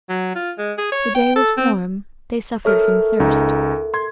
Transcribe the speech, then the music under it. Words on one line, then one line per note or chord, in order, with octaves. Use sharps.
The day was warm; they suffered from thirst.
F#3
F4
G#3
G#4
C#5
G5
A4
C4
A4 A#4 C#5 E5 F6
C#2 D#4
C6 G#6